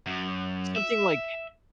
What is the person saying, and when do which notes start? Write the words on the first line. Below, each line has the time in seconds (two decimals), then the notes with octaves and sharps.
something, like,
0.07 F#2
0.76 E5